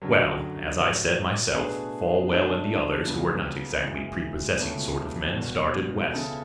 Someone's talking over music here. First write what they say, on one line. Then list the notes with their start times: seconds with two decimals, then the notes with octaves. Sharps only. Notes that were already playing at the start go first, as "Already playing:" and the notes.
Well, as I said, myself, Folwell and the others, who were not exactly prepossessing sort of men, started west.
0.02 F#2 D3 F#3
0.78 A1 A2 F#3
1.54 B2 A3 D4 G#4 B4
2.30 B2 A3 D4
3.06 C#2 C#3 F#3 B3
3.82 F#1 F#2 E3 G#3
4.59 C#2 B2 A3 C#4
5.36 E1 E2 B2
6.12 C#3 E3 B3 E4 A4